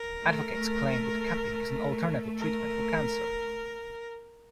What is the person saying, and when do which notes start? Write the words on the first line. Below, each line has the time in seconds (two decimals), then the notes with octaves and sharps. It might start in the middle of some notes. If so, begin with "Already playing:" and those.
Advocates claim that cupping is an alternative treatment for cancer.
Already playing: A#4
0.22 A3
0.53 A3
1.47 A3
2.39 A#4